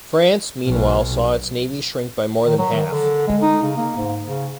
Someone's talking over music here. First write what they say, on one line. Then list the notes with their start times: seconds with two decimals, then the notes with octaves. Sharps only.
France, meanwhile, saw its navy shrink by more than half.
0.66 B1
2.46 D#3
2.58 F#3
2.73 D#3
2.91 D3
3.28 G#3
3.42 D#4
3.62 C#3
3.77 A#3
3.97 G#2
4.26 C#3